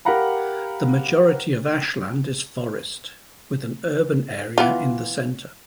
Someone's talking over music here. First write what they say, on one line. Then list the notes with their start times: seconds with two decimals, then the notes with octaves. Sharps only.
The majority of Ashland is forest, with an urban area in the center.
0.05 G4 A#4 F5 F#5 A#5 B5
4.58 E3 B3 F4